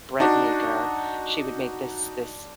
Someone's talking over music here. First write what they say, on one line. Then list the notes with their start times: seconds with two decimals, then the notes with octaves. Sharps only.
bread maker, she would make this this
0.20 D4 D#4 F#4